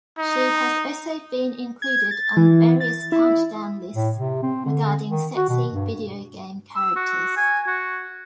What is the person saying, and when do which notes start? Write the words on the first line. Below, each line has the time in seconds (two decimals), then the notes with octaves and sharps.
She has also been included on various countdown lists regarding sexy video game characters.
0.19 D#4
1.82 G#6
2.11 A6
2.37 E3
2.80 A6
3.12 E4
3.95 A2
4.17 C3
4.43 C4
4.66 D3
5.09 D#3
5.36 F#4
5.49 B2
5.71 G2
6.76 E6
6.96 F#4
7.37 G#5
7.67 F#4